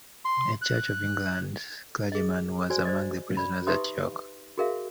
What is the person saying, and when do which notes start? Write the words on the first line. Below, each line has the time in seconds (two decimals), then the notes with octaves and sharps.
A Church of England clergyman was among the prisoners at York.
0.25 C6
0.62 F#6
2.12 G#4 D#5
2.70 F#4 C5 D5 G#5
2.85 C5 D5 D#5
3.37 D5 B5
3.67 D#4 G4 B4 E5 C6 D#6
4.58 F#4 G#4 A#4 E5 F5